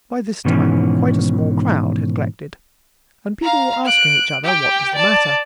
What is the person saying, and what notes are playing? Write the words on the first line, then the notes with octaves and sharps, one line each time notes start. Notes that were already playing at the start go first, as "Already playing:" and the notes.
By this time, quite a small crowd had collected, and people were asking each other what was the matter.
G#2 B2 D#3 E3 C#4
F5 A#5
F#6 D7
G4 G5
D5 A5